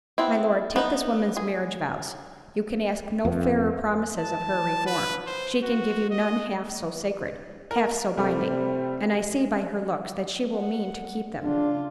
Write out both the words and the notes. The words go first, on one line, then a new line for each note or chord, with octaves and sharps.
My Lord, take this woman's marriage vows--you can ask no fairer promises of her reform--she can give you none half so sacred, half so binding; and I see by her looks that she will mean to keep them.
B3 C4 E4
B3 D#4
G#4
F2
A5
B4
C5
F#4
D#5
A#4
C3 G3 A3
F#5
C#3 D4 F4